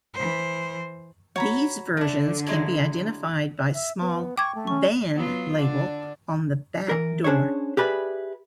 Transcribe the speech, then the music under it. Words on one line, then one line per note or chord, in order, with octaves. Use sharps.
These versions can be identified by small "Van" label on the back door.
E3 C5
F#4 C#5 A#5 B5
D3 A3 D4
F#3 G#3 E4
E5
B3
G5 C#6 D6 G#6
A3
C#4 C#6
F#3 B3 F4
D3 D4
E3 A#4
C#4 D4 G#4 C5 C#5
G4 G#4 B4 D5 E5